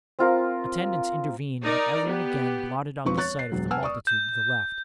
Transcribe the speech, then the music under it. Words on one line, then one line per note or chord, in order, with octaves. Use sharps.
Attendants intervened, and ever and again blotted out the sight of the multitude to the left.
C4 F4 A#4
D#4 A#4 D5 A#5
B3 G4
E1 F3 C4 B4 C#6
C#5 C#6 F#6 A6
C7
E1 F#3
B4 F#5 G#5 A5 E6 F6
D5 C#6 D#6
G6